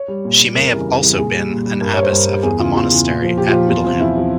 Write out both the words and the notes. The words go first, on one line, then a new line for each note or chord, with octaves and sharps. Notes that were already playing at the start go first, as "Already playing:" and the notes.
She may have also been an abbess of a monastery at Middleham.
Already playing: C#5
G3
A#2
G3
F2 A#4
C#3 E3 G3
F2
C#3 E3 G3
A#2 G#4
G3
A#2
G3
G2 A#4
G3 C#5
C5
G2 A#4
G3
E2 G#4
C#3 E3 F4
E2 F4
C#3 E3
A#2
F3
A#2 G4
F4
F3
E2 F4
C3 F3
E2 E4
C3 F3